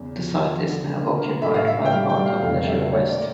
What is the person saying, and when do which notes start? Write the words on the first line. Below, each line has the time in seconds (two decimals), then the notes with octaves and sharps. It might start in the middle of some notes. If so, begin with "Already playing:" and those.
The site is now occupied by part of Leisure West.
Already playing: E2 C#3
0.17 F3
0.41 F3
0.66 D3
0.92 A#3
1.17 A#3
1.42 A2 E5
1.54 F5
1.67 A2 E5
1.85 G5
1.92 G3 F5
2.09 G5
2.17 G3
2.26 F5
2.42 F2 F5
2.67 G3 E5
2.92 G3 C#5
3.09 D5
3.17 A#3